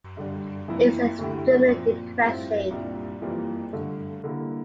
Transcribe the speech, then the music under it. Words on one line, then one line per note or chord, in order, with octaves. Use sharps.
It's extremely depressing.
G2 D3 G3 D4
F2 E3 A#3 E4
D2 D3 A3 E4 G4
A#2 F3 C4
A2 G3 C4 F4
C2 A#2 G3 D4 G4
F2 E3 G3 A#3 F4
G2 D3 A3
D3 G3 A#3 E4